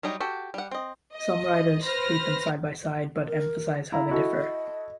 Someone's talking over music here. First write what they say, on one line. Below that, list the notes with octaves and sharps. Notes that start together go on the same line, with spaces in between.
Some writers treat them side by side but emphasize how they differ.
F#3 G3 D#4 A#5
F#4 G4 A4
G3 F#5
C4 D#5
D#5
B4 C5 F6 A#6
A#4
E4 F5 A#5
E4 F#4 A4 D#5